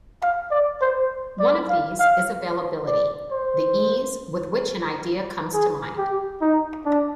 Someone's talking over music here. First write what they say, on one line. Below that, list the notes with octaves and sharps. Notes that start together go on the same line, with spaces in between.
One of these is "availability": the ease with which an idea comes to mind.
F5
D5
C5
D5
F5
F5
D5
C5
G#4
G4
D#4
D4